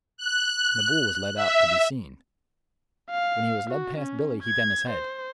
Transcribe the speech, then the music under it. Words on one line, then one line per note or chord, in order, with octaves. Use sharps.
And the bull was led out, to be seen. When he was led past Billy he bent his head.
F#6
E5
F5
F#4
C#4
G#6
C5